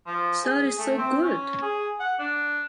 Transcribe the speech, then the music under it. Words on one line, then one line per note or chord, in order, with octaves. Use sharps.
Sir is so good!
F3
G#4
A3
C4
C#4
G#4
F#5
D4